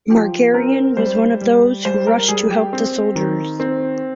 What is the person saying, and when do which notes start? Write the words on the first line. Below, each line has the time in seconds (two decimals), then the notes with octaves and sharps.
Margaryan was one of those who rushed to help the soldiers.
0.10 F3 G4
0.54 C4 A#4
0.97 G3 C5
1.41 G3
1.85 G3 C5
2.07 A#4
2.28 G3 G#4
2.51 G4
2.73 C4
3.16 D#3
3.60 C4